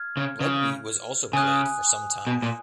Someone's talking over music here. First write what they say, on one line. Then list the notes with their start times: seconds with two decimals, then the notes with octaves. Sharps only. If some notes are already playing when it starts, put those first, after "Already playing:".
Rugby was also played for some time.
Already playing: F6 G#6
0.17 C#3
0.40 C#3
1.33 C#3 G#5 D#6 F#6
2.27 B2
2.42 A#2